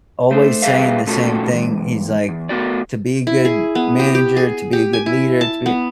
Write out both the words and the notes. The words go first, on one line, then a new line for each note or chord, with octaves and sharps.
always saying the same thing. He's like, "To be a good manager, to be a good leader, to be
A3 C5
G3 G#4 B4 E5 F5
B2 A3 C#4 F4 F#4 A4
E2 G#2
E2
A3 B3 F#4 D5
E4
G#4
B3
G4
G4
G#4
G4
G#5
E4
A5
B3